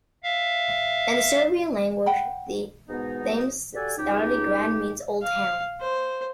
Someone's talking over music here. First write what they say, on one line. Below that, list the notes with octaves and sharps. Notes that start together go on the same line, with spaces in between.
In the Serbian language, the name "Stari Grad" means "Old Town".
E5 F5
F#5 G5 B5
G#2 B2 G#3 B3 D#4
F#4 G4 A4 D5 F#5 G#5
C#2 D#4 G4
F5
C5